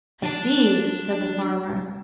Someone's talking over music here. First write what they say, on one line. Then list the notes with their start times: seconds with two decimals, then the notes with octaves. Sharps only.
"I see," said the farmer.
0.24 D4 A5